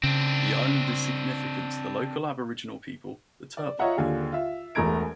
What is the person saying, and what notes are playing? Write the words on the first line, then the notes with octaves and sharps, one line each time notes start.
The island is significant to the local Aboriginal people, the Turrbal people.
C#3 C4 D4
D5
F4 C#5 D#5 E5 F#5 A#5
D#2 D3 F4 G#4
F4 E5
E1 E2 A3 A#5 G#6 D7